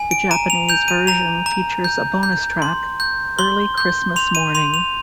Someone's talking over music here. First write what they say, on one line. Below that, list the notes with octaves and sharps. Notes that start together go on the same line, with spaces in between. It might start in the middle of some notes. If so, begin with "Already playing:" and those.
The Japanese version features a bonus track, "Early Christmas Morning".
Already playing: G#5
D7
A#5 D#7
F7
G6 F7
D#7
A#5 F7
A#5
G6
G6
C6
G6
C6 G7
G6
C6 F7
D#7
C6 F7
F7